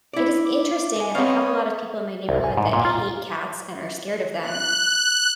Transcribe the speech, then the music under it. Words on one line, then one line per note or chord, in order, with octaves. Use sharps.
it is interesting that I have a lot of people in my neighborhood that hate cats and are scared of them.
E4 D5
D6
D#5 G#5
B3 C4 C#5 D#5 F5
C2
G#5
G#2
A#2
F4
F#6